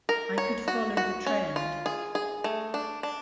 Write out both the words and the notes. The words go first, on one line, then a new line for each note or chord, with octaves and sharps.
I could follow the trend.
A#4
C#5
F#4
F#4
C#4
F4
G#4
G#4
A3
D4
D4